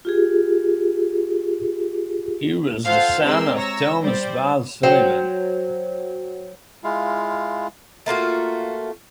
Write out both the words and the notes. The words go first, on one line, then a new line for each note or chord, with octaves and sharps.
He was the son of Thomas Ball Sulivan.
F4 G4 G#4
F4 A4 C5 F5 F#5 A5
C3 G#3 G#4 A#4 C6 E6
C#5 A#5 E6 A#6
G3 C5 D5
F#3 C5 F#5 G5
G#3 E4 F4 F5
A3 A#3 F4 F#4